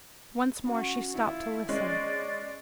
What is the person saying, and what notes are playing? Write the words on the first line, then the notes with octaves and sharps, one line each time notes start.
Once more she stopped to listen.
C#4 F#4
E4 F4
G#3 C#4 D5